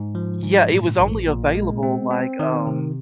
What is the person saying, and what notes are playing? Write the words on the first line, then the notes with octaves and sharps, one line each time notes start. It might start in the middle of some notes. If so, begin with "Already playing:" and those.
Yeah. It was only available, like, um
Already playing: G#2
F3
G#2
A#2
A#1
A#2
G#3
C4
C4
D#3
C3